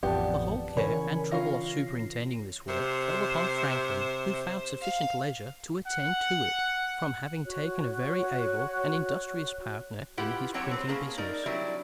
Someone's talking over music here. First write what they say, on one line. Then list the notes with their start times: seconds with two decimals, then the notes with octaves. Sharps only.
The whole care and trouble of superintending this work fell upon Franklin, who found sufficient leisure to attend to it, from having taken a very able and industrious partner in his printing business.
0.03 A1 F2 B3 G4 D5 F#5 A5
0.77 C#3 E3 A#4 C#5 G#5 B5
1.31 C#4 F4 A#6 C7
2.68 C3 C5
4.81 F5
5.88 F#5
7.45 F#4 C#5 F#6
10.17 E4 F4 G4 B4 F#5
10.54 F#3 C4 G4 C#5 F#5 A5
10.71 C4 B4
10.87 A#3 C#4 G#4 A5 A#5
11.18 D#4 A#4 D5
11.46 F#3 G3 C4 D4 E4